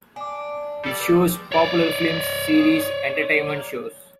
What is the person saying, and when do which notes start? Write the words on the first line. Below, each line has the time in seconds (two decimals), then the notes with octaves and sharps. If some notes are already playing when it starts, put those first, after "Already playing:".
It shows popular films, series, entertainment shows.
0.16 D4 G#5 D6
0.83 G3 A4 D5
1.00 B4 D6
1.27 G#3
1.52 C#5 D5